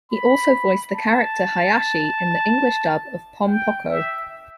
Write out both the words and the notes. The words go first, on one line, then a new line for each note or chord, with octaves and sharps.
He also voiced the character Hayashi in the English dub of "Pom Poko".
B5
A5
G5
E5